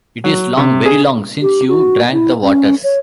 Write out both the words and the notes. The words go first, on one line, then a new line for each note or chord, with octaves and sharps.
It is long, very long, since you drank the waters.
F#3
C3
G#4
G4
F#4
E4
C#4
C#5